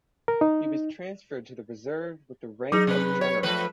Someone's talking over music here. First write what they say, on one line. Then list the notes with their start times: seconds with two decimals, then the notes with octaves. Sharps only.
He was transferred to the reserve with the rank of general.
0.28 A#4
0.41 D#4
2.72 F#3 D#4 G#4
2.87 C3 B4
3.21 C#5
3.43 F3 A3 B4